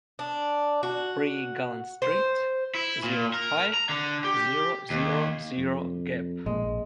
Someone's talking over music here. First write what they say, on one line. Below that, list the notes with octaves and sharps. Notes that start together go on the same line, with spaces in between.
Pré Galland Street, zero five, zero zero zero Gap.
D4
F#4
C5
E4
A#2
A#4
A#5
D3
G4
D#2
F2
A#1 G#3 A#3